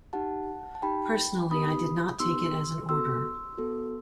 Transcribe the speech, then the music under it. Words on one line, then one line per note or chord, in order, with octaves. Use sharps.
Personally, I did not take it as an order.
D#4 G4 F#5 A5
A5
D#4 G4 G5 B5
B3 D#4 G4 B5 D#6
B3 D#4 G4 C6 E6
B3 F#4 A4 C6 E6
B3 F#4 A4